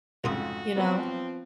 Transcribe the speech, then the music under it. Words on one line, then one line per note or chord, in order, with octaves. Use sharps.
you know?
C2 F2 G#2 C#3 F4 F#4 D#6
F3 B3 C4 B4